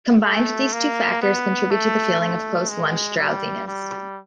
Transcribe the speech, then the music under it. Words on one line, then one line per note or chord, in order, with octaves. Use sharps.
Combined, these two factors contribute to the feeling of post-lunch drowsiness.
A3
A#3
B3
A3
A3
G#3
G3
G3